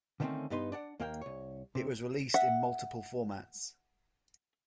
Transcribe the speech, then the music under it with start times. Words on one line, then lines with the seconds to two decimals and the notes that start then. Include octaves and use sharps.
It was released in multiple formats.
0.20 D3 D#3 A3 A#3 C4 C#4
0.50 G2 B3 D#4 B4 C6
0.72 D4 D5 F#5
1.00 D#2 A#3 A#4 F5 G5
1.21 C2 C#5
1.75 C3
2.34 E5 F#5